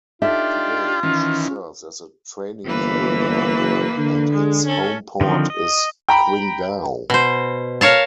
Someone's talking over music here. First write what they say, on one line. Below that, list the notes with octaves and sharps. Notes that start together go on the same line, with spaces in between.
Today, she serves as a training carrier and its home port is Qingdao.
D4 D#4 F4 G4 A4 E5
D#3 E3 C#4
G1 E3 A#3 B4
F#1
D3
G#3
C#4 A4
D3 D#3 F3 C4
D#5
G5 A#5 B5
B2 C5
A#4 C#5 F5 A5